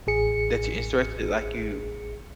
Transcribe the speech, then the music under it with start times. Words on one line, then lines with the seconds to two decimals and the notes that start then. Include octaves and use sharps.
that you're interested like, you
0.07 A1 G#4 C#7